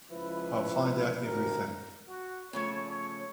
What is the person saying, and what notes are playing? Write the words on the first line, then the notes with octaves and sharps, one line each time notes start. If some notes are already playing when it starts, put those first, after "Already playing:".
I'll find out everything.
C#2 F3 E4 B4
A1 D2 A#4
F#4
C#3 F3 A3 C#5
C#5